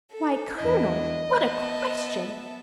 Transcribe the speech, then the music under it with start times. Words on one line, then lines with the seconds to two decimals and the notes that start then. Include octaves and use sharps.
Why, colonel, what a question!
0.12 A4
0.58 E2 D4 E4 D#5
1.35 B3 E5 A5